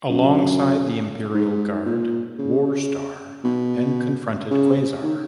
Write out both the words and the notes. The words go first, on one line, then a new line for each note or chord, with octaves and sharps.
Alongside the Imperial Guard, Warstar then confronted Quasar.
F#2
G#2
A#2
C#3
B2
C#3
D#3